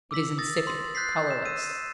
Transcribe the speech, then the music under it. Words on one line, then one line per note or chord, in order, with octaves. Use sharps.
It is insipid, colorless.
D6 E6 B6 F#7
D#6 A6 A#6
C6
F#6 G6 A6 B6 C7
G6 E7
E6 D#7